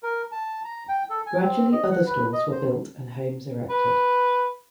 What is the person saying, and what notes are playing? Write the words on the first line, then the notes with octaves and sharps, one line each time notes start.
Gradually other stores were built and homes erected.
A#4
A5
A#5
G5
A4
G#5
C4
D#5
F#5
B4
D#5
C5
B4